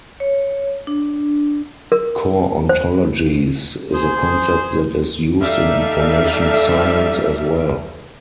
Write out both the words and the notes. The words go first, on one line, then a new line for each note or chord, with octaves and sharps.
Core ontologies is a concept that is used in information science as well.
C#5
D4
A#4
C5
G#4 C5
G3 D#4 A4 D5 E5 F5